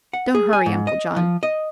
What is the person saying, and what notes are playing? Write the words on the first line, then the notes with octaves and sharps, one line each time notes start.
Don't hurry, Uncle John.
F#5
G#4
G#5
G#2
D#5
F3
D#5